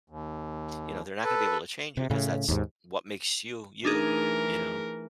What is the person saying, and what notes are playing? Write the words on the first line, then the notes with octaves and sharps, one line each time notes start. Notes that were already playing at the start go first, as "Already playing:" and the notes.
you know, they're not gonna be able to change you 'cause that's what makes you, you. You know?
D#2
A4 B4
C3
A2 C#3
D#2 G#2
E3 A3 D4 D#4 G#4 A#4